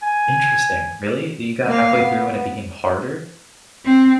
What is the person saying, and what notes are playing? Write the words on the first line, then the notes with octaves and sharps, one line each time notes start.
Interesting. Really, you got halfway through and it became harder?
G#5
A#3 F5
B3
C4